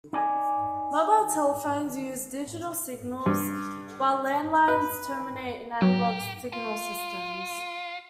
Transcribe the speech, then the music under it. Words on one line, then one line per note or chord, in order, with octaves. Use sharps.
Mobile telephones use digital signals, while land lines terminate in analog signal systems.
D#4 D5 G#5
G2
B4
F#3 G4
F4